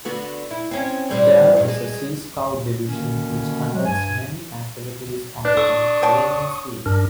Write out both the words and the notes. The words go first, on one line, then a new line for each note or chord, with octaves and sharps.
There is a Sea Scout division which conducts many activities on the Mediterranean Sea.
D3 B3 F#4
E4
C4 C#4
A2 G3 C4
G2 A#2 D#3
G#3
B2 D3 D#3 A#3 C#4
F#3 G#3
G2 G#5
D4 B4
A4 C#6 D#6
C#5 G5 A5
G2 D4 A#4